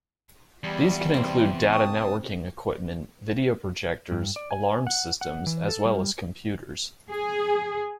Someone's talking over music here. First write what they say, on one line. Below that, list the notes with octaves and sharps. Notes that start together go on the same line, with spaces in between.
These can include data networking equipment, video projectors, alarm systems as well as computers.
E2 G3
C3 C4
G5 A5 C#6 D#6
G2
D5
G#5
F#5
F#5
E3
A4
G3
G#4